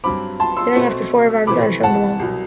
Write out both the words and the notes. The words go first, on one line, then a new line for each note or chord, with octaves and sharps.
Standings after four events are shown below.
G2 F#3 C4 B5 D6
A5 C6
C6 E6
B2 A3 C4
C3 E3 A3 C4 B5 D6
F#5 A5
C2 B2 F#3